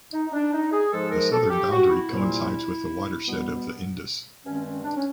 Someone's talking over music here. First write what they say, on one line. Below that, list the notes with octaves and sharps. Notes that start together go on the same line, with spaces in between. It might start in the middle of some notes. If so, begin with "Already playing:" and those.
The southern boundary coincides with the watershed of the Indus.
D#4
D#4
D4
D#4
G#4
G#2 F3 G#3 A4
A#4
A4
G4
F#4
E4
C2 A#2 G3 A#3
B2 G3 B3
G2 D#3 G#3 C4 C#4
C#4
D4
C#4